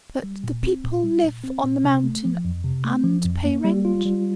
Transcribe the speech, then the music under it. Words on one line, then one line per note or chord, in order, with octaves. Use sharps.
"But the people live on the mountain and pay rent?"
G3
A#2
C4
A#2
G3
A#2
C4
A#2
C3
A3
F3
F2
C3
A3
F3
F2
A#3
G3
F4
G3